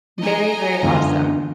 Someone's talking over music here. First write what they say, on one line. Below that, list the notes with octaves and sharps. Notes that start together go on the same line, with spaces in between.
Very, very awesome.
D#5 G#5 A#5
F#2 D3 E3 G#3 B3 F4